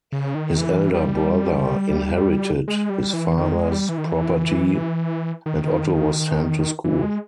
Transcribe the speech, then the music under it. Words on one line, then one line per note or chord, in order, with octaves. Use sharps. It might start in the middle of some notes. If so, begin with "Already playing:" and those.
His elder brother inherited his father's property and Otto was sent to school.
C#3
D#3
E3
G3
G#3
G3
E3
D#3
G#3
G3
E3
D#3
E3
D#3
E3
G#3